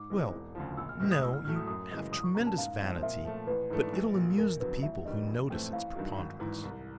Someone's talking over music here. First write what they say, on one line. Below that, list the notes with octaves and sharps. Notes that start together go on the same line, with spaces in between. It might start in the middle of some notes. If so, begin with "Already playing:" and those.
"Well--no, you have tremendous vanity, but it'll amuse the people who notice its preponderance."
Already playing: G#2 D6
E3 G#3 C4
E1
D2 C#3 F3
A#1 E6
F6
A2 E3 G#3 F6
D#6
A1 E6
F6
A2 F#3 A3 F6
D#6
F#2 D#6
C#3 E3 G#3
C2 D#6
C#6
B2 G3 A#3 C#4 A#5
A5
G#2 F5
F3 G#3 C4
A#2 E5
F3 A3
A1 B4
G#2 E3 A3 D4
A#1
A#2 F#3
F2 A#4
D3 F#3 B3 B4
A1 E5
E5
G2 D#3 G3 B3 D#5
D#5
A#1
A2 E3 A3 C4 G5
A1 F5
G2 D#3 F#3
G#1
G#2 E3
C2